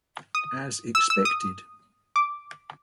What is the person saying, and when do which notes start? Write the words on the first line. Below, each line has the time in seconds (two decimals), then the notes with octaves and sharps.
As expected.
0.35 D#6
0.95 E6
1.10 E6
1.25 D#6
2.16 D6